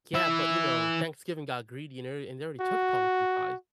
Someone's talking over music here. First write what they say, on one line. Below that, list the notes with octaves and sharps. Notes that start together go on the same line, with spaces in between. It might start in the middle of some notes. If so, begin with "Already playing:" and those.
Yeah, but, you know, Thanksgiving got greedy, and r and they already took pumpkin pies.
E3 E5
F#4